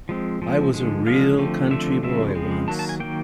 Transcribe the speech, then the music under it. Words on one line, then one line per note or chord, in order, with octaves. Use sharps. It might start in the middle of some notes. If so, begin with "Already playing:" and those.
I was a real country boy, once.
F3 G#3 C4
F3 G#3 C4
D3 F3 G#3
D3 F3 G#3 F5
D3 F3 A3 C4
D3 F3 A3 C4 E5
C#3 F3 G#3 C4 E5
C#3 F3 G#3 C4
D#3 F#3 A#3 A5
A5
G#5
D#3 F#3 A#3 G5